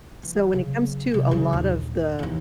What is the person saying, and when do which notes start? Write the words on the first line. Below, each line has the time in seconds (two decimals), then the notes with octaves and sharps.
So when it comes to a lot of the,
0.23 E3
0.53 C#3 F#3
1.12 C3 F#3
1.31 C#3 F#3
1.53 A#1 D#2
2.19 D#2 E3